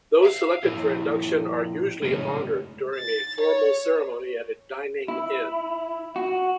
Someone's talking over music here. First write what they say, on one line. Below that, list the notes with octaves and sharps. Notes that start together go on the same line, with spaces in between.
Those selected for induction are usually honored during a formal ceremony at a dining-in.
E5 F5
A#2 F3 E4 G4
F#2 A2 C#3 G#3 B3 C#4
A6
C#5
E4
F#4